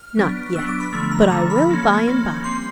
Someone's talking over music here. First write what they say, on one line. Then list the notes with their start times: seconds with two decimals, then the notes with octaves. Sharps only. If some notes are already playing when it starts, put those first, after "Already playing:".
'Not yet; but I will by and by.'
Already playing: F6
0.17 F#3 B3 D4
0.55 F#3 B3 D4 E6
0.68 D6
0.80 B5
0.92 D3 F3 A3 B5
1.11 A#5
1.30 D3 F3 A3 A#5
1.50 B5
1.69 F3 A#3 C#4
2.07 F3 A#3 C#4
2.44 G3 C4 C6